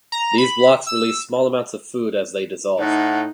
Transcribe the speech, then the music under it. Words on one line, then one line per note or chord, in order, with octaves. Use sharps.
These blocks release small amounts of food as they dissolve.
A#5
B5
E6
A2 D#4 F#5